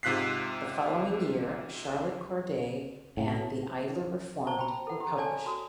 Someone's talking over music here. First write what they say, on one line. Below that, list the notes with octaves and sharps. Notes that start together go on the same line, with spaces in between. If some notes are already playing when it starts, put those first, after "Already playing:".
The following year "Charlotte Corday" and "The Idler Reformed" were published.
G#2 C3 F4 F#6 B6 C7
A2
C5 A5 A#5 C#6
G5 A#5 B5
A4 F#5
G4 A#5
A4 C#5 D5 G#5 A5
F#4 D#6